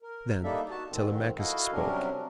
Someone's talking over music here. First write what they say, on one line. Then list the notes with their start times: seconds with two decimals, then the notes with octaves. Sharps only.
Then Telemachus spoke.
0.02 A#4
0.43 G3 A#3 D4 D#4 A4 E5
0.70 F#4 A5
0.90 F2 G#2 D#3 C4
1.38 E4 F#4 A4 D#5 F5
1.72 C3 F#3 G3 C#4 D4 A#4